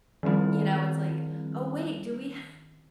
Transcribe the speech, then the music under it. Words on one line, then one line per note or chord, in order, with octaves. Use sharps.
you know, it's like, "Oh, wait, do we ha"
D#3 F3 G3 C4 E4